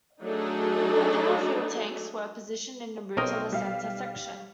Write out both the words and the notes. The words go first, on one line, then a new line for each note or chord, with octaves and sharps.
A pair of fuel tanks were positioned in the roots of the center section.
F#3 A3 D4 D#4 G#4 A4
B1 C4 A#4 C#5 D#5
G3 F5